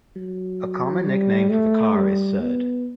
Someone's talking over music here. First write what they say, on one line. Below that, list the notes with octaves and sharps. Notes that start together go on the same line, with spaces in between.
A common nickname for the car is "'Sud".
F#3
G3
A3
G3
B3